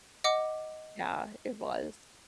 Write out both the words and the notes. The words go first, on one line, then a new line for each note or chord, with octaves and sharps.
Yeah, it was.
D#5 F#5 D6